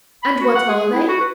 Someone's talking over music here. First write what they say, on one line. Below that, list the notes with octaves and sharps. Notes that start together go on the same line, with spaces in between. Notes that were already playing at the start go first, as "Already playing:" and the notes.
"And what are they?"
B5
F#4
F#5
G#4
E4
F#4
B4